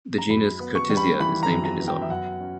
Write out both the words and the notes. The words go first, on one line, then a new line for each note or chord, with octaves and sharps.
The genus "Curtisia" is named in his honour.
A#5
F#2 B5
B3
C#6
G3
B5
E3 B5
A#5
F#2
A#5
B3
G5
E5
F#2 F#5
C#4